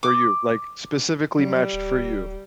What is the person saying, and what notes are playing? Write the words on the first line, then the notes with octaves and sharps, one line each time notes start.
For you, like, specifically matched for you.
D6
F#3 G3
D1